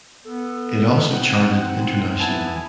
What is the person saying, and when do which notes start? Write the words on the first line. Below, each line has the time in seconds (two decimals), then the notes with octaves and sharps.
It also charted internationally.
0.25 B3 A4
1.07 C4 D#4 F#5
2.20 B3 E4 G#5 A5